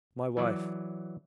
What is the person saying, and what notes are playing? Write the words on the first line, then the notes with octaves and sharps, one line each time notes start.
"My wife!"
E3 F#3 D5